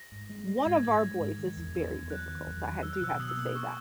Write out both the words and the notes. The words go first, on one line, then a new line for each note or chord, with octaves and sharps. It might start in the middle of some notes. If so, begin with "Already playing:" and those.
One of our boys is very difficult, I ha do have to say that.
Already playing: A#6
G#2
G#3
G#3
A#6
G#2 G#6
G#2
G#3
G#2
D#3
E2
E2
E2
F#3 F#6
D#3
E2
D#3
F#3 E6
F#6
B2 E6
B2 D#6
E6
A#3 D#6
A#3 C#6